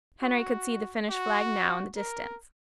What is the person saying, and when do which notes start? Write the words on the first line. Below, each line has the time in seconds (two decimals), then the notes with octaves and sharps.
Henry could see the finish-flag now in the distance.
0.22 F#4
1.10 F#4
1.97 A#4